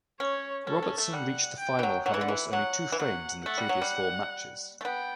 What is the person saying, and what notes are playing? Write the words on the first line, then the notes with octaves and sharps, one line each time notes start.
Robertson reached the final having lost only two frames in the previous four matches.
C#4 C#5
C#4 A4
C#4
A3
G3 F#5
G5
E3
F#3
F#3 F#5
E3
D3
E3
F#3 F#5
E3
F#3 F#5
A3 F#5
G3
F#3
G3
A3
B3 G5